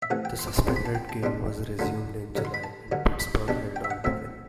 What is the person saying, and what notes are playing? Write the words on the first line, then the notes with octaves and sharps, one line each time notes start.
The suspended game was resumed in July, and Pittsburgh held on to win.
E5
C3 E3 A3 F#5
G5
C6
D6
C6
E2 C3 F#3 C4 C6
B5
A5
G5
A5
B2 G3 D4 C6
F#2 D3 F#3 A3 C6
G2 D3 F#3
C6
B5
A5
G2 D3 F#3
B5
B2 G3 D4 A5
G5
E5
F#5
A2 F#3 C4 E5